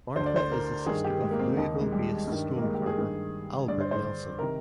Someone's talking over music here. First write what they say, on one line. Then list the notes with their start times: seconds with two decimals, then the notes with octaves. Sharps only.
Martha is the sister of Louisville based stone carver Albert Nelson.
0.16 D2 D3 C5
0.26 D5
0.36 C5
0.51 A#4
0.86 G2 D#3 G#4
1.04 G4
1.22 G#3
1.31 A#3
1.39 C4
1.57 D#2 D#3 D#4
1.81 G#3
1.92 G3
2.28 G2 D#3
2.56 A#3
2.62 G#3
2.74 G4
2.86 G#4
2.98 G2 D#3
3.68 G2 D3 D5
3.80 C5
3.91 C5
4.39 C3 D#3 A#4